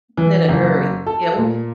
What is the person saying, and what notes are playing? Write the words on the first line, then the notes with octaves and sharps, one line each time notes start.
and in a hurry, yeah we
E3
F#1
A4
A#2